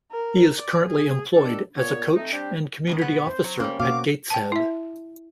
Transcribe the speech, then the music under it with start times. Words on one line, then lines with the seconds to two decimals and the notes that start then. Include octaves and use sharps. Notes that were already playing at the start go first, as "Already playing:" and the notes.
He is currently employed as a coach and community officer at Gateshead.
0.12 A#4
0.59 D5
0.87 G#4
1.34 D#3 G3 D4 G4 A4
1.76 A#2 B3 C#5
2.16 A3 C4 D#4
2.33 G3 C4 D4 G4
2.87 A2 D3 D#3
2.98 B2 B3
3.27 C5
3.44 F#3
3.60 G3 A#3 C#4
3.79 B2 A#3 F#4 F5 D6
4.30 G5 A5
4.52 E4 E5